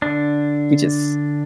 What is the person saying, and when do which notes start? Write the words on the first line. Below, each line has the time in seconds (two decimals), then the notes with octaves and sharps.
You just
0.02 D3 D4